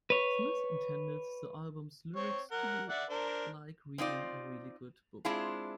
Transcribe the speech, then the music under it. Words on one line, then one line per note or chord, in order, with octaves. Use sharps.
Smith intended the album's lyrics to be like reading a really good book.
B4 C#5
C4 C#5
A#4 F#5
D5 E5 F#5
D4 A#4 C5
C4 D#4 F4 D5
G#3 C4 D4 E4 F4 G#4